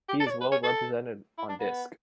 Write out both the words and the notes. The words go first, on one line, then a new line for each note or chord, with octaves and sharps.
He is well represented on disc.
G4
A4
D5
C#5
B4
C#5
A4
E4
D4
B3